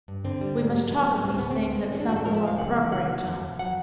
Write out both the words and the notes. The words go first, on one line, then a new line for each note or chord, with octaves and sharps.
"We must talk of these things at some more appropriate time."
G2
D3 C4
G3
G#2
F#3
A3 B3
A2
D2 C4
D2 B3
C4
G#3
G#3
E3 C#4
D4
A2 F#4
A4
F3 A#4
E5
E2
F5
C3 F#5
E3
D#3 F#5
F#3
F2
F2
F#3 F#5